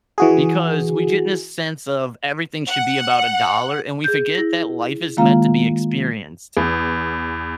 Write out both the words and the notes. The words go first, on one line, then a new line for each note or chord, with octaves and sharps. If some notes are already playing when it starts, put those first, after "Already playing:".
because we get in a sense of everything should be about a dollar, and we forget that life is meant to be experienced.
E3 F#4 G#4
F#5
G#4 G6
E4 A#6
D#3 G#3 A#3 F4 F5 A#5
E2